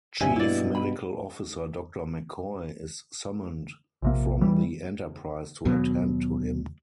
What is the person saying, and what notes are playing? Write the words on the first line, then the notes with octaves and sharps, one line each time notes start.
Chief Medical Officer Doctor McCoy is summoned from the "Enterprise" to attend to him.
D1 G2 C3 E5 G#5
G2 B2 E4 D5
B5
A#1 C3 A#3
E3 G3
D#2 B2 F#3